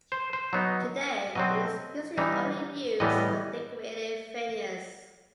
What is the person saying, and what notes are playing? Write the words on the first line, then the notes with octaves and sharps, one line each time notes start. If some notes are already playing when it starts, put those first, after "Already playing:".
Today, it is usually only used for decorative veneers.
C5
C5
F#3 B3 D#4
B2 F#3 C4 D#5
E3 G3 D#4
A2 E3 G3 B3 D#5